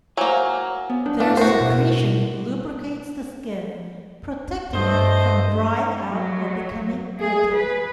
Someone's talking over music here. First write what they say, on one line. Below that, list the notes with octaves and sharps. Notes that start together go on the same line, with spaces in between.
Their secretion lubricates the skin, protecting it from drying out or becoming irritated.
F#3 A#3 C5 G#5 E6
B3
D4 C#5 D5
A2 A3 D4 B4 F5 A5
F#4 A#4 C5 E5
B2
G2 A3 C5 D#5
F#3
G#4
B4